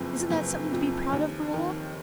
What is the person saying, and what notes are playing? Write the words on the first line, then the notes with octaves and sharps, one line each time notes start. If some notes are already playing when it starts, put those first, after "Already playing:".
Isn't that something to be proud of, Marilla?
Already playing: F#1 F2 F3 B4
F#1
F2 F3
D#2
D#3